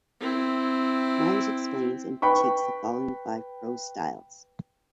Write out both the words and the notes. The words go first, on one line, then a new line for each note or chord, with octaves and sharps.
Myers explains and critiques the following five prose styles.
C4 E4
B4 G5 B5 C#6